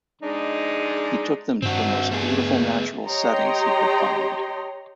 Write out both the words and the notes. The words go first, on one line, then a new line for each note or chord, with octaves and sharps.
He took them to the most beautiful natural settings he could find.
G#3 D4 D#4
G2 C4 F#4
A3 B3 G#4
G4 C#5 D#5 G5 A#5 C6